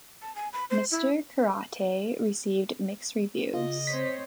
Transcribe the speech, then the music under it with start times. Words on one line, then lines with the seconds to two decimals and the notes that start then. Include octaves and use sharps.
Mr. Karate received mixed reviews.
0.22 A5
0.36 G#5
0.53 B5
0.70 C5
0.91 E4
3.54 C#3 F4 D#5
3.87 C4 C5 C#5 B6